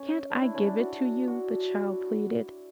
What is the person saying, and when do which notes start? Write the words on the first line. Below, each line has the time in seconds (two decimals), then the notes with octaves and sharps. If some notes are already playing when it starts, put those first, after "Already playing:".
'Can't I give it to you?' the child pleaded.
Already playing: C#4
0.30 D4
0.42 E4
0.55 C#4
0.67 D4
0.78 F#4
1.27 F#4